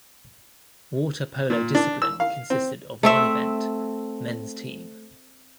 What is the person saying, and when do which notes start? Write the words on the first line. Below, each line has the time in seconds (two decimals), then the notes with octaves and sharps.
Water Polo discipline consisted of one event: men's team.
1.50 A#2
1.75 D4
2.02 E6
2.20 F5
2.50 C4
3.03 A3 C4 E5